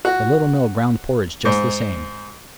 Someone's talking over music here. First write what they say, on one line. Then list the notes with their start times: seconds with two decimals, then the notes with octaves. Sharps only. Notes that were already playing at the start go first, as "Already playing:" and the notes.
The Little Mill ground porridge just the same.
0.05 F#4
1.45 G#2